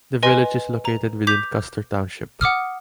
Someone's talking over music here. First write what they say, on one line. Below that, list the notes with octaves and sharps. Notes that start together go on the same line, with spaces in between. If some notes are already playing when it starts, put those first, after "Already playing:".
The village is located within Custer Township.
B4 D#5 G#5 C6
A#5
D6 G6 B6 F7
F#5 D6 D#6 F6